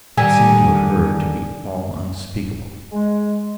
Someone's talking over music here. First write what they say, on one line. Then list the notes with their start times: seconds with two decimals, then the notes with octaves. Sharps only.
It seemed to her to be all unspeakable.
0.17 D3 D#3 G3 G#5
2.91 G#3